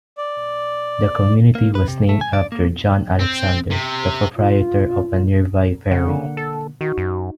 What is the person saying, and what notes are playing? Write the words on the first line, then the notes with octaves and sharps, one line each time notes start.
The community was named after John Alexander, the proprietor of a nearby ferry.
D5
A#3
B4
C3
A3
G#5
D5
A#3
C4
C3
F4
C#3 F#5
D3 A#3
A4
D#3 D#4 F#4
F#2